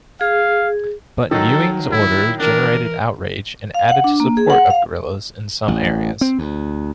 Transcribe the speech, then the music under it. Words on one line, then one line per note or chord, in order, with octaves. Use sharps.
But, Ewing's order generated outrage and added to support of guerrillas in some areas.
G#4 F5
D#3 F#3 A4
E4
E3 D4 A#4
F5
F#5
D4
A#3
G#4
F#5
F5
A1
C4
D2